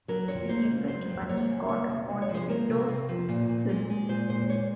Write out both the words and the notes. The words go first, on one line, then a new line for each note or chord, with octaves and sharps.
The youngest bunny got upon the window-sill.
F#3 A#4
F2 C#5
A#3 C5
C#3
F#3 C5
F2
A#3 C#5
C#3
A#3 C#5
C3
C3
C#5
F3
C5
A#3 A#4
C3
C3
F3
A#2
A#2
G#3
G#3
A#2 C5
A#2 C5
G#3 C#5